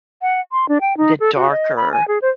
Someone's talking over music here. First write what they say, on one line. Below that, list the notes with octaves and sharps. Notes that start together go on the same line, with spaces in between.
the darker,
F#5
C6
D4
G5
D#4
A4
F#4
D#5
B5
G#5
G#4
C5